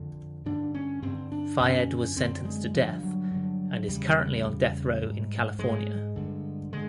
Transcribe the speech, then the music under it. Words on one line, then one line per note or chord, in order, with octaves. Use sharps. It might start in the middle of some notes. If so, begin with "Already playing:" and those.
Fayed was sentenced to death, and is currently on death row in California.
Already playing: F2 D3
G2 D3 D4
C#4
G2 D3 C4
D4
F#2 D3 C#4
F#2 D3 C4
G#3
G2 D3 F3
F#3
G2 D3
E2 C#3 G3
E2 C#3
G#2
G#2 G#3
G2 D3
D3 G#3